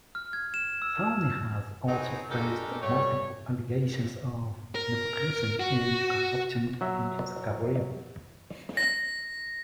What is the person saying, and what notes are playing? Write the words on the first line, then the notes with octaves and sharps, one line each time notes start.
Sarney has also faced multiple allegations of nepotism and corruption in his career.
F6
G#6
E7
E6
F#3 B3 C4 D#4 F#4 G#4
G#3 D4 F#4 G4 A4 A#4
G3 A3 C#5
A#4
F#4
F#3 E5
A#6